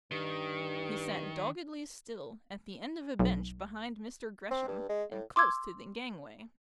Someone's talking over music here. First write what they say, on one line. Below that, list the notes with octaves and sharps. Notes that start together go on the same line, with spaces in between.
He sat doggedly still, at the end of a bench behind Mr. Gresham, and close to the gangway.
G2 D#3
B1
C4
G2
G#3
A2
C6 D6 E6 G#6